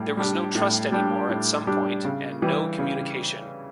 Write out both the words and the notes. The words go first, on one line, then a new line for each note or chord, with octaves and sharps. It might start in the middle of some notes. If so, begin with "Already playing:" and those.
There was no trust anymore at some point and no communication.
Already playing: A2 G3
G3 D4 G4
A2
G3 D4 G4
A2
G3 D4 G4
C#3
E3 G3
C#3